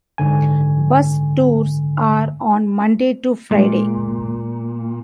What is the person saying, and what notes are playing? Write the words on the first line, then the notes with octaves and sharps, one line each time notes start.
Bus tours are on Monday to Friday.
G#2 D3 G#5
A#2 G#3